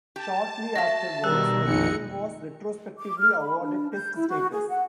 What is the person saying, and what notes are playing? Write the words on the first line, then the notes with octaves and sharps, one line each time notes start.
Shortly afterwards the game was retrospectively awarded test status.
G4 A5
F#3 E5 A#6
B2 D#3 G3 A#4 E6 F#6
A#1 F2 D#4 C#7
D6
F6
B5
D4
G6
E4
F#4
G#4
F#5